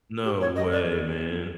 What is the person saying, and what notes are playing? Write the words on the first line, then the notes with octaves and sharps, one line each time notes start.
No way, man.
G4
C#5
D#5
D5